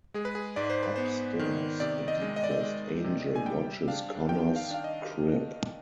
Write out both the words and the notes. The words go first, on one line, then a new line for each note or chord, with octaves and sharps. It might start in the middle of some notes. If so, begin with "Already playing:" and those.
Upstairs, a depressed Angel watches Connor's crib.
G#3 G#4
B4
G#4
G#2 D5
C5
B4
B3 C5
D#3
C3 D5
D#5
G#3
D#5
D5
D#5
G#3
C3
G#5
G3 G5
D4 F5
D#3 G5
F5
D4 F5
D#5